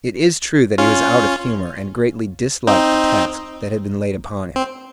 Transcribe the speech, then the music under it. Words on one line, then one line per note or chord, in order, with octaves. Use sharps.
It is true that he was out of humor and greatly disliked the task that had been laid upon him.
C#4 F4
C4 D#4
C4